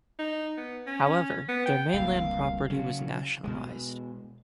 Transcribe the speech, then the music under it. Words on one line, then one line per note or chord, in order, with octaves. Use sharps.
However, their mainland property was nationalized.
D#4
B3
C#4
B3
G5
D1 C2 A#3 F5
C#3 F#3
B2 G#3